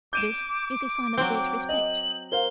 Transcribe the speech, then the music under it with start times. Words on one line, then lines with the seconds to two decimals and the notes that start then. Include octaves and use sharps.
This is a sign of great respect.
0.13 D6 G6 D#7 E7
1.17 F#3 C4 G6
1.69 D#5 F#7
2.32 A#4 C5 F5 G7